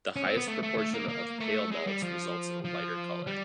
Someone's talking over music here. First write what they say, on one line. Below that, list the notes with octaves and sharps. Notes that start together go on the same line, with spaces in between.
The highest proportion of pale malts results in a lighter color.
C#4
C4
B3
A3
A3
A3
A#3
A#3
A3
G#3
G3
F3
F3
G3